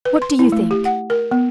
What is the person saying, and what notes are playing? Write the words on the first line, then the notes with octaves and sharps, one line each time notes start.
What do you think?
B4
C6
E4
A3
G4
F#5
A#4
B3